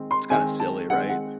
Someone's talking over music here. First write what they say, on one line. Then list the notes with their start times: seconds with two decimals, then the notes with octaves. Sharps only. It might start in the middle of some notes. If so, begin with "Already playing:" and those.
It's kinda silly, right?
Already playing: D#3 G#3 C4
0.11 C6
0.30 D#3 G#3 C4 G#5
0.60 A5
0.90 D#3 G#3 C4 F#5
1.09 F#5